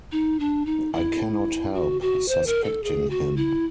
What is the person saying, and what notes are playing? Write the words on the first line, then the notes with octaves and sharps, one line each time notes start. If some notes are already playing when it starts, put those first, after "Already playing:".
I cannot help suspecting him.
D#4
D4
D#4
E4
F#4
F#4
C5
A#4
A4
G#4
F#4
E4